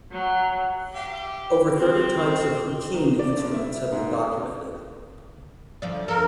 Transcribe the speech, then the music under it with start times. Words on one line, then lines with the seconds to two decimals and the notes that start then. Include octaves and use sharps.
Over thirty types of "huqin" instruments have been documented.
0.12 F#3
0.94 G4
1.76 C4
2.94 D#4
3.19 D5
3.37 G2
3.54 E5
3.92 G#2
5.82 D2 F3 D5
6.08 F2 A4 A#4